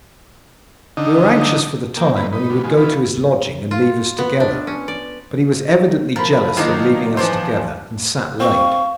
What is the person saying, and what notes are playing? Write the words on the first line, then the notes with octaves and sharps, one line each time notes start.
We were anxious for the time when he would go to his lodging and leave us together, but he was evidently jealous of leaving us together, and sat late.
D3 D#4
A#2 A#3 D5 G5
C3 A#3 B3 B4
D#4 B4
G2 B2 D3 B3
B2 D#3 F3 G#3
D#3 E3 B3 F4 B4
C#3
F4
B3
D4
C#4
D5
F3 A#4 B5
D#3 F#3 A#3 D4 D#4 F4
E2 E3 F3 D4 C5
C4 F5 C#6